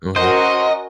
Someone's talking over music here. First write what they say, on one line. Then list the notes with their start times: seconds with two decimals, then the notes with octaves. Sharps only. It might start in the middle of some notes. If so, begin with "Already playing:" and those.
Uh huh.
0.16 C#4 F#4 A#4 C5 D#5